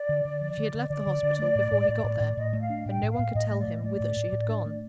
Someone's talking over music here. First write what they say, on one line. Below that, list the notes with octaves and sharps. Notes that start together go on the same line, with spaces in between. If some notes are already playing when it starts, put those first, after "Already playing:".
She had left the hospital before he got there; and no one could tell him whither she had gone.
Already playing: D5
D3
D3
F3
D3
D3
D3 D5
D3
D3
A3
A2
A2
A2
A2
A2
A2 D#5
A3
F5
D4
A2 G5
A2
F5
A2
A2 D#5
A3
D5
A2
A3 D5
A2
A2
A2
D4
A3